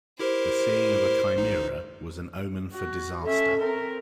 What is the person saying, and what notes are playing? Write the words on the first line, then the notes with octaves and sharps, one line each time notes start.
The seeing of a Chimera was an omen for disaster.
E4 G4 A#4 C5
A1 D#4
F#4
C#4 A4 E5
C4 A#4